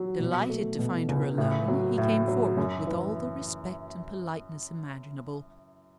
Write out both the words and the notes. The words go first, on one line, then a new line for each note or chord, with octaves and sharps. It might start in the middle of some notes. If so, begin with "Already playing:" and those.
Delighted to find her alone, he came forward with all the respect and politeness imaginable.
Already playing: F#3
B2
A3
B2
C#2
A2
F#3
A2
F#3
F#2
E3